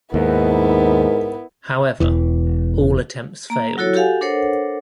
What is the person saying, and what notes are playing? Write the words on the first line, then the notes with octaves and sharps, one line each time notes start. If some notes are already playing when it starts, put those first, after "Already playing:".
However, all attempts failed.
D#2 G#2 B3 E4 A#4
E1 E2 E3
A#3 A#5
F#3 E4 F#4 A4 C#5
F#4 G4 A4 F5 F#5 G#5
D4 A4 A#4 C5 C#5 F#5